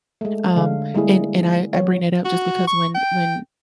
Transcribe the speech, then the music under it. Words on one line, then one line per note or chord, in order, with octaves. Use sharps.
Um, and and I I bring it up just because when when,
G#3 A3
D3 G#3 F5
G3 G#3 A#3 E4 G#4
F#3 C#5
F#4
C#6
G5